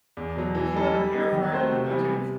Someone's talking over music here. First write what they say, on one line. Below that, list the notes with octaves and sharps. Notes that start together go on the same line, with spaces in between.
do you have an air fryer, by chance?
E2
B2 F#3
E3
G3 D#4 A4
G3
B3 D#4
D#3
A3 C4 F#4 C5
C3
E3 G3 B3
C3